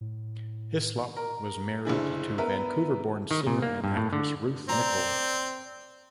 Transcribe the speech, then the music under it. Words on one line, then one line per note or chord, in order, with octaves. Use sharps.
Hyslop was married to Vancouver-born singer and actress Ruth Nichol.
A2
A#4
F#1 D3 E4 G#4
B3 A#4 B4 E5
D#3
A#2
A#3
G2
A2
D3
C4 D5 A#5